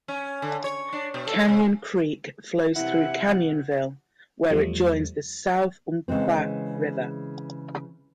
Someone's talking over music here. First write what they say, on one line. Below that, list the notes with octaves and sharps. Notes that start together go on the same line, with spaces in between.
Canyon Creek flows through Canyonville, where it joins the South Umpqua River.
C#4
D3
C#5
D4
B2
A4
C3
C3 E3 E4 F#5
E2 F3 G3 A3
C#3 E3 G#3 C4